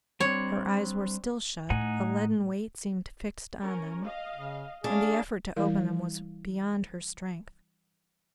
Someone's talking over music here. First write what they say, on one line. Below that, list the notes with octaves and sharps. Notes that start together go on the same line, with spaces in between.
Her eyes were still shut; a leaden weight seemed fixed on them, and the effort to open them was beyond her strength.
G3 C4 D4 C#5
A2 D#4 F#5 G#5
C#4 A#4
D#5 F5
C#3
C#4 D4 E4 G#4 F5
E3 G3 E4 A#4 F5